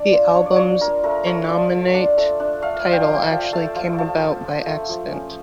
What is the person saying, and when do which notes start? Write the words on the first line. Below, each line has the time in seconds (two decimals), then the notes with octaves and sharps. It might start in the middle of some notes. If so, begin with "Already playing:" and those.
The album's innominate title actually came about by accident.
Already playing: D4 D5
0.13 F4
0.35 D4 C#5
0.46 D5
0.56 F4 C#5
0.81 D4 A#4
1.03 A3 A#4
1.26 A3 C#5
1.49 F4 D5
1.72 F4
1.94 D4
2.17 A3
2.40 D4
2.62 A3 F5
2.85 F3
2.92 G5
3.08 F3
3.13 G5
3.23 A5
3.31 F3
3.53 A3 A5
3.76 F3
3.98 F3 A5
4.21 F3
4.44 F3
4.66 A3
4.89 F3
5.12 C#4